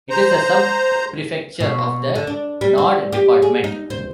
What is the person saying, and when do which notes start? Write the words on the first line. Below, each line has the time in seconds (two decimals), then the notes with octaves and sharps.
It is a sub-prefecture of the Nord department.
0.10 C5 A#5
1.60 B2
2.15 D3
2.27 D4
2.61 G3
2.78 C4
3.12 G4
3.42 G#4
3.64 D#4
3.90 C5